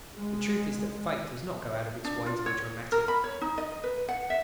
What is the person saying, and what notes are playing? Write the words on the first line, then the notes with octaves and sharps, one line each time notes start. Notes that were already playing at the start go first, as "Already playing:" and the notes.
The truth is that Fate does not go out of its way to be dramatic.
G#3
D4
F4
C#5
A#4
B5
C#5
D#4
D#5
B4
F#5
E5